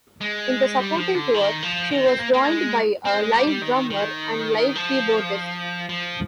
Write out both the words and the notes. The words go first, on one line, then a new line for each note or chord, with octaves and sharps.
In the supporting tour she was joined by a live drummer and live keyboardist.
G#3
G3
F3
D3
D#3
F3
D#3
C4
A#3
A#3
G#3
C4
G#3
G3
G3
D#3
D#3
F3
F3